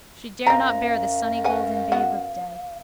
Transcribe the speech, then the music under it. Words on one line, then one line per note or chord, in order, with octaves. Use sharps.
She dare not bear the sunnygolden babe of day.
F#2 F3 D#4 F5 A#5
B4 F#5 G#5
B3 F#4 F#5